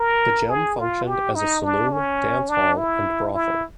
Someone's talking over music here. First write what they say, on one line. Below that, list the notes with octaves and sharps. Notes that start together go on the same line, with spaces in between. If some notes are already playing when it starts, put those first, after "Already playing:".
The Gem functioned as a saloon, dance hall and brothel.
Already playing: A#4
G#4
F4
G4
D#4
D4
C#4
D4
E4
E4